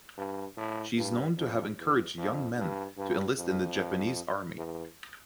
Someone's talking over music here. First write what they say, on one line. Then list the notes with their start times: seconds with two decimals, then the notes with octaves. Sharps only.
She is known to have encouraged young men to enlist in the Japanese army.
0.18 G2
0.57 A2
0.97 G2
1.37 F2
1.77 E2
2.18 F2
2.57 G2
2.98 G2
3.37 F2
4.57 E2